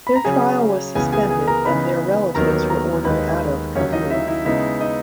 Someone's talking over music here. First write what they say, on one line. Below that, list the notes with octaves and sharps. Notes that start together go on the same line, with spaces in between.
Their trial was suspended, and their relatives were ordered out of Kabul.
B5
A#5
C#3 F#3 C#4 G#4 G#5
C#2 C#3 E3 B3 G#4 G#5
G#4 G#5
G#4 G#5
A#4 A#5
C#3 E3 B3 D#4 B4 B5
D#2 D#3 F#3 B3 A#4 A#5
A#4 A#5
D#2 D#3 G#3 B4 B5
D#2 C#3 F#3 C#4 C#5
D#4 D#5
E4 E5
E4 E5
C#3 G#3 B3 D#4 E4 E5
D#4 D#5